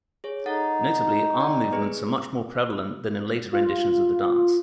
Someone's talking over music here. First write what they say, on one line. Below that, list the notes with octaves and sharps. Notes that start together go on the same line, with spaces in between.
Notably arm-movements are much more prevalent than in later renditions of the dance.
G#4 C#5
D#4 A4 F#5 A6
D5 G5 D#6
B3 G#4 B4
F4